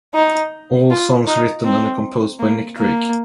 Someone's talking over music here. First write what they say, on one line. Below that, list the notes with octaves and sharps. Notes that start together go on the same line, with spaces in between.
All songs written and composed by Nick Drake.
D#4
F4
D#4
C4
A#3
A#3